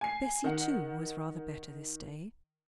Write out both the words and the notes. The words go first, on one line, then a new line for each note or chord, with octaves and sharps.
Bessy, too, was rather better this day.
G#5 C7
D#3 F#5